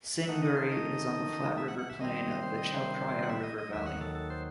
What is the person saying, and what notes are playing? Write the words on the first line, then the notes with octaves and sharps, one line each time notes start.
Sing Buri is on the flat river plain of the Chao Phraya River valley.
E5
D#3 A3 D#4 F#5
D#5
C5
D#5
E5
F#5
F#5
E5
C3 D#3 G3 C4 D#5
C5
D#5
C5
F#5
E5
D#5
D#5
D#2 D#3 F#3 E5
F#5
A4
A4
C5